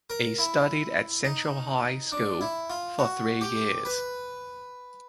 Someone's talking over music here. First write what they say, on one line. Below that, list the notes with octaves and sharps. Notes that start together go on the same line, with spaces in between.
He studied at Central High School for three years.
A#4
E4
D#4
D4
E4
F4
F#4
G4
B4